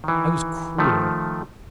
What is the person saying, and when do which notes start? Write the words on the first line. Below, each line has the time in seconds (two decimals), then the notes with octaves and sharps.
I was cruel!
0.04 D#3 E3
0.78 D#3 F3 A3